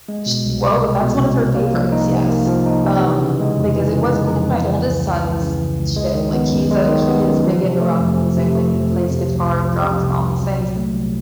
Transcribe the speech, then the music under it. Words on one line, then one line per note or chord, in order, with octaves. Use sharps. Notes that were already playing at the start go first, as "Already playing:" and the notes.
She Whoa, that's one of her favorites, yes. Um, because it was kind of my oldest son's shtick. Like, he's a he is big into rock music, and he plays guitar and drums and all these things,
G#3
B2
C2
C2
G#3
B2
C2
C2
A#3
F3
D#4
C3
A#3
F3
D#4
C3
E3
C#3
G#3
F2
E3
C#3
G#3
F2
E3
C#3
C#2
C#2
E3
C#3
C#2
C#2
G#3
D#3
B3
F#2
G#3
D#3
B3
F#2
F3
C3
A3
F2
F3
C3
A3
F2
F3
C3
C2
C2
F3
C3
C2
C2
F#3
A#2
A3
C2